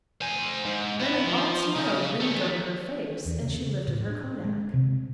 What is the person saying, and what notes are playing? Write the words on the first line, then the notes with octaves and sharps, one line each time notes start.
Then an odd smile gleamed over her face and she lifted her kodak.
C5 G#5
G#2
B3 E4
F3
C#3
D#3 A3
E2
C#3
A2
D4
G#3
C3